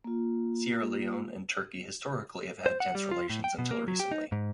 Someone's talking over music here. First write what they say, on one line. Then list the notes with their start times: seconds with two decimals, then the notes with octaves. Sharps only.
Sierra Leone and Turkey historically have had tense relations until recently.
0.04 A#3 F4
2.66 C5
2.80 F#5
2.95 G3
3.11 F4
3.30 A2
3.44 G5
3.58 B2
3.71 A#3
3.88 F#3
4.00 G4
4.12 D#4
4.32 G#2